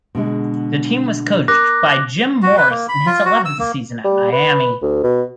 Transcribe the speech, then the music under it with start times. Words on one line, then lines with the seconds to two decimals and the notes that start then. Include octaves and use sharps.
The team was coached by Jim Morris in his eleventh season at Miami.
0.15 B2 D3 G#3
1.48 A#4 D6 F#6 A#6
2.42 F#4
2.57 B4
2.70 A#3
2.89 B5
3.06 F4
3.25 F#4
3.45 E6
3.59 A#3
4.04 G3
4.32 B4
4.82 D2
5.03 B2